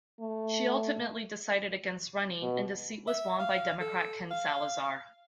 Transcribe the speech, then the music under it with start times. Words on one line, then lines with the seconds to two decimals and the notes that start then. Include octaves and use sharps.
She ultimately decided against running, and the seat was won by Democrat Ken Salazar.
0.20 A3
2.42 B2
3.07 E5
3.39 F5
3.80 A4
4.31 F5